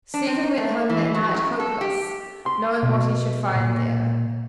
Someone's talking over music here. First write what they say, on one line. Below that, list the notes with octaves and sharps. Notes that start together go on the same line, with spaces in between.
Stephen went home that night hopeless, knowing what he should find there.
D4
C4
D#4
A3
E3
F#3
F#2
A4
G4
C6
B2
A#2